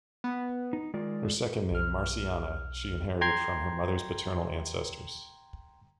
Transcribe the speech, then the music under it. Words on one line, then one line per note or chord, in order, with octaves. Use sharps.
Her second name "Marciana" she inherited from her mother's paternal ancestors.
B3
D#4
D#3 G#3 F4 D5
B1 F6
G5 A#5 C6 G#6 C7